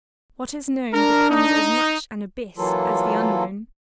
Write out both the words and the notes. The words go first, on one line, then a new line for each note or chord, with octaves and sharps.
What is known becomes as much an abyss as the unknown.
D4 A#4
D#4
E3 F#3 A#3 F4 A4